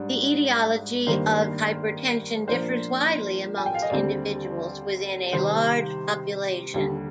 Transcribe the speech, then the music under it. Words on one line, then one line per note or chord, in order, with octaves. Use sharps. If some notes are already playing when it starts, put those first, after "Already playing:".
The etiology of hypertension differs widely amongst individuals within a large population.
Already playing: G#2 G3 D4
G2 D#3 A#3 D4 C5
A#2 F3 A#3 D4 C5
G#5
G5
F5
D#5
D#2 D3 G3 C4 D5
C3 D#3 G3 C5
D#2 D3 G3